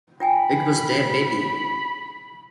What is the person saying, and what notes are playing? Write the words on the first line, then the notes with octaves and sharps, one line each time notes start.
It was their baby.
F4 G5 G#5 B5